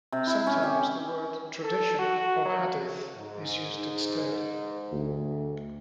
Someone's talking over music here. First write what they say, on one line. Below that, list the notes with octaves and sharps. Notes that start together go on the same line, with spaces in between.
Sometimes the word "tradition" or "hadith" is used instead.
C3
E4
C#4
G4
A4
F#4
F#3
G#2
D2